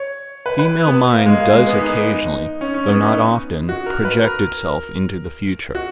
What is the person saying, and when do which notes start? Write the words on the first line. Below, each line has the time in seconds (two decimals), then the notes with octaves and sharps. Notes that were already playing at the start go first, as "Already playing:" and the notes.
The female mind does occasionally--though not often--project itself into the future.
Already playing: C#5
0.46 B4
0.59 B4
0.87 B3
1.13 A#3
1.26 G#3
1.40 A#3
1.53 G#3
1.67 B3
1.80 D#4
1.94 D#4
2.61 C#4
2.74 C#4
2.88 B3
3.02 D#4
3.69 F#4
3.86 A#4
4.05 B4
4.22 A#4
5.75 F#4